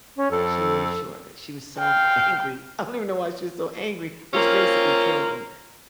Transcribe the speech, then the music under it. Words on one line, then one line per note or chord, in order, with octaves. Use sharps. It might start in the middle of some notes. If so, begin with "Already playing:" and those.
She made sure of it, she was so angry I don't even know why she was so angry, which basically killed him,
C#4
F2 A4
F5 G5
A#3 C4 C#4 F4